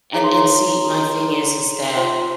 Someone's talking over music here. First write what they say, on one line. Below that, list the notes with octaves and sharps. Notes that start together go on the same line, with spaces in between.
and and see my thing is is that
D#4 G#4 C#5 A#5
C6
A#5
F4 C5 C6